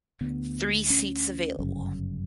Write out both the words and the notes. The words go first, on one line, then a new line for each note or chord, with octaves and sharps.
Three seats available.
D2 D3 B3
C#4
G1 F#2 C#3